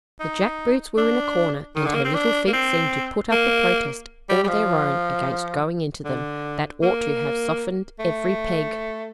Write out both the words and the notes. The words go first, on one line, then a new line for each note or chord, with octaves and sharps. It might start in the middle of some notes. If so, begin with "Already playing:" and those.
The jack-boots were in a corner, and her little feet seemed to put up a protest all their own, against going into them, that ought to have softened every peg.
D#4
D4
D#3
D3
A#3
C4
D4
A#3
C4
A#3
G3
G3
F3
D3
A#3
A3